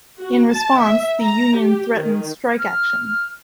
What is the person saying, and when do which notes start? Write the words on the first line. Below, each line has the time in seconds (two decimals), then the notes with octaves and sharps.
In response, the Union threatened strike action.
0.19 F#4
0.52 A5
0.81 E5
1.22 A#5
1.58 G4
1.98 D#3
2.59 F6